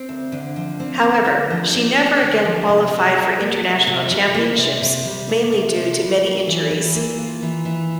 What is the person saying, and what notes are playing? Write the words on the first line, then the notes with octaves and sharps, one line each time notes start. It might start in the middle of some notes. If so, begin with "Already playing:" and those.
However, she never again qualified for international championships mainly due to many injuries.
Already playing: C4
D2
D3
F3
C4
D2
D3
F3
C4
D2
D3
F3
C3
C3
G3
A#3
C3
C3
G3
A#3
C3
C3
G3
A#3
C3
C3
G3
A#3
E3
E3
A#3
F4
E3
E3